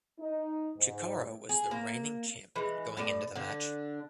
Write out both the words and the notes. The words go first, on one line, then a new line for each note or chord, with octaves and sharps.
Chikara was the reigning champion going into the match.
D#4
G#2
G#4
A#3
E3 G#3
A2 D5
D3 D4